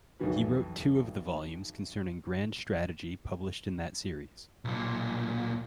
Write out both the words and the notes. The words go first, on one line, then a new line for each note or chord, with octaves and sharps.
He wrote two of the volumes concerning grand strategy published in that series.
B1 F2 D#3 E3 F#4 B4
B1 A#2